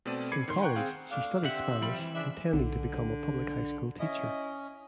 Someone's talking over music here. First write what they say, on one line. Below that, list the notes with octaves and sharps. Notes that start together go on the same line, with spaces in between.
In college, she studied Spanish, intending to become a public high school teacher.
B2 A3 C4 D5 D#7
B5 D6 G#6 C7 C#7
D#3 C6
F#5 G5 A#5 C#6 F#6 G6
C4 G#4 F5 G5
A3 D4 F5
D3 C4 G4 E5 F#5
F3 G3 B5
E3
C#3 D4 E5
B1 D3
C#4 E4 D#5